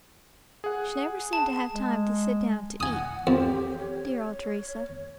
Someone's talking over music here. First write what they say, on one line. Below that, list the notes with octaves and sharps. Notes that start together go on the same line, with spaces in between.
She never seemed to have time to sit down to eat Dear old Teresa!
G#4 F#5
A5
G#3
F#5 G#5 D#6
F2 G4
C#5